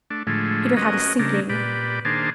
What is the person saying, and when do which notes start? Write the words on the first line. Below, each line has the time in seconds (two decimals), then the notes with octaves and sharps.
Peter had a sinking.
0.10 A3 D4
0.27 A2 D3 F3 G#3 A3
0.77 C#4 F#4 A#4 D#5
1.19 C#3 G3 A3 D4 A#4
1.49 A#2 G4 B4 D5
2.05 D#3 A#3 D4 G#4 C5 A5